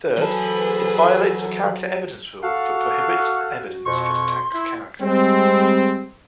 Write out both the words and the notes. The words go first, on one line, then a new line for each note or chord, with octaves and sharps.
Third, it violates the character evidence rule that prohibits evidence that attacks character.
E3 F#3 G#4 A4 B4 C5 A5
F#4 A4 F5 F#5 C#6
F2 B2 C6 C#6
E4
G3 G#3 C4